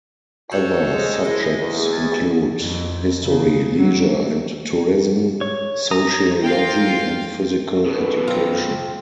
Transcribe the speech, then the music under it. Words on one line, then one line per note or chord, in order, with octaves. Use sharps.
Other subjects include History, Leisure and Tourism, Sociology and Physical Education.
F#4 A4 C5 C#5
G#3
F3 G#3 E4 D#5
E2
G#6 A6
F2
C#3
F#3
C#5
A#5 D#6
F4 F5 G5
F#2 B2 D#3 A4 B4
C4 F4